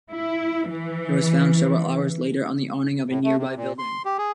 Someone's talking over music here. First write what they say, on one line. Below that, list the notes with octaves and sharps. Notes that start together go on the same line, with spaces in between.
It was found several hours later on the awning of a nearby building.
E4
E3
A2
A3
C3
A#2
C6
G4
G#4